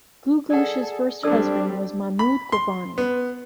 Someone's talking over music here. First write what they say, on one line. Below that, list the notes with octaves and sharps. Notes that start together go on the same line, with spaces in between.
Googoosh's first husband was Mahmoud Ghorbani.
G#4 A4 D5 F#5
G3 C4 D4 A4 D5 E6
B5
C6
B3